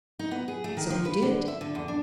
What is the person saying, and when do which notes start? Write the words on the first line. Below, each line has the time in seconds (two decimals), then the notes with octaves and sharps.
"So he did."
0.19 D#4
0.31 B3
0.48 G#4
0.64 A3
0.77 D#3
0.90 F3
1.05 B4
1.22 D3
1.48 E5
1.61 D3
1.75 E2
1.88 D4